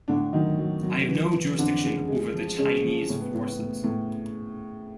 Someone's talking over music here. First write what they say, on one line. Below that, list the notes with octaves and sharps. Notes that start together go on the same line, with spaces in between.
I have no jurisdiction over the Chinese forces.
A2 D3 D4
D#3 F#3 D#4
F#3
F#3
E3
E3
F2 D3 D4
C#3
G#3
F3
C#3 G#3 C#4
F3
A2 C#3 C#4
B3
A2
B3
A2
A2